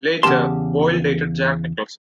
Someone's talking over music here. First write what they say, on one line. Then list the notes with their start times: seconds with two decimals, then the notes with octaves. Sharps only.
Later, Boyle dated Jack Nicholson.
0.23 E2 C#3 G#3 G4 A5 C6